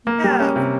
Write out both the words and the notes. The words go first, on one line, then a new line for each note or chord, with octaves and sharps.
yeah, b
A#3
G3
C#4
C3